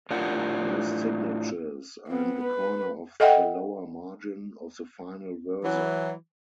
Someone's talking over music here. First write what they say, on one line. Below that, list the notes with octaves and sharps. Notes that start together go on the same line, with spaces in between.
Most signatures are in the corner of the lower margin of the final verso.
A2 D4 F4 G4 A#4 F#5
B3 C4
B4
A4 D#5 E5 F#5 G5
E3 F#3